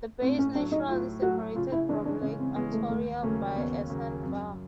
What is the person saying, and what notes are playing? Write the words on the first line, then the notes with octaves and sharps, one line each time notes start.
The bay is naturally separated from Lake Ontario by a sand bar.
A2 C4
C#4
F#3 A3 D4
D#4
A2 F4
F#3 A3 F#4
C#3 F4
E4
E3 G#3 C#4 D4
D4
C#3 C#4
C4
E3 G#3 B3 C#4
A3
D#2 A3
C#3 F#3 A3 A#3 C#4
D#2 B3
C#3 F#3 A#3 C#4
F#2 C4